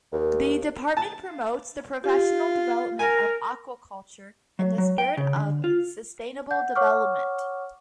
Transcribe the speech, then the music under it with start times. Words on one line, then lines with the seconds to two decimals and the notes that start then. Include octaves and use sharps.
The department promotes the professional development of aquaculture in the spirit of sustainable development.
0.13 D#2
0.97 A5
2.04 F4 G4
2.99 A#4 G#5
4.59 F#3
4.78 F#3
4.98 G5
5.17 C#3
5.36 D3
5.64 F4
6.51 F#5 G6
6.76 C#5 F#5 C#6 D6 F6